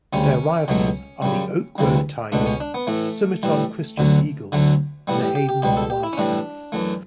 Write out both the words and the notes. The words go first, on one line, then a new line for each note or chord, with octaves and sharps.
Their rivals are the Oak Grove Tigers, Sumiton Christian Eagles, and the Hayden Wildcats.
D2 C#3 G3 C#4
C#2 B2 F#3 A3
F#2 C#3 G3
D2 C#3 E3 G3
C#2 B2 A3 D4
C#4
D4
B3
A2 E3 A3
A2 E3 G3
D2 D3 F#3
D2 D3 F#3 A3
A2 E3 G3 B3
G4
G4
G4
C#2 B2 G3 G4
A4
G4
E4
C#4
A2 E3 G3 D4
F#2 E3 A3